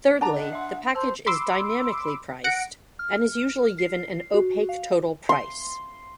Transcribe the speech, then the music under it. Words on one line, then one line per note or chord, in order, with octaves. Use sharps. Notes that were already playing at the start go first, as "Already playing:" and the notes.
Thirdly, the package is dynamically priced and is usually given an opaque total price.
D4 F#5 A5 A#5 D6
D#5 F#5
E5 C6
C5 A5 E6
B5 C6 D6 E6
F#5 A#6 C#7 D7
F6
C7
F#4
F5
C6